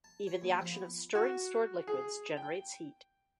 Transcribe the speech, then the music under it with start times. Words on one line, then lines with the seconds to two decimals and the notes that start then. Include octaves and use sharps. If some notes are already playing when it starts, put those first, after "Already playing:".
Even the action of stirring stored liquids generates heat.
0.04 A5
0.27 C#5
0.42 D#2
0.59 F3
0.72 B3
1.15 F#4
1.87 G#4
2.37 G5